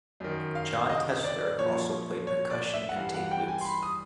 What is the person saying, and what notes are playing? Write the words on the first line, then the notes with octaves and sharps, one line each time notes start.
Jon Tessler also played percussion and tape loops.
F#2 D#3
F5
D#5
D5
A#2 F3 C#5
C#5
D5
E5
F#5
G2 E3 F5
F#5
G5
G#5
C6
B5
D#6